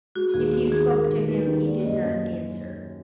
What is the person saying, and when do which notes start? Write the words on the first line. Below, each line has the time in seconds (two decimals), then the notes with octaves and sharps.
If you spoke to him, he did not answer.
0.15 G#3 F#4
0.34 D#2 G#4
0.53 D#4 F#4
0.71 D#3 G#4
0.90 G#3 A#4
1.09 D#2
1.28 D#4 B4
1.47 D#3
1.65 A#3 D5
1.84 F#2 D#5
2.03 F#2